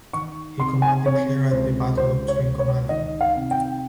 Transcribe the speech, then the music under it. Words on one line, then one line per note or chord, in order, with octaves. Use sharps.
He commanded her at the Battle of Trincomalee.
D#3 C#6
C3 C6
G#5
C3 C#5
C#2 C5
C#2 C5
C#5
C#2
C#5
D#3 D#5
F5
C3
G5